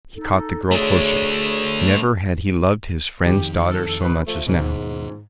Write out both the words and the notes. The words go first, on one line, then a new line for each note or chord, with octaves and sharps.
He caught the girl closer. Never had he loved his friend's daughter so much as now.
D#4 A4
A3 D4 G#4 C#5
F2 D#3 G4
A4
B2 B3 B4
F3 A3
D#2 G#2 B2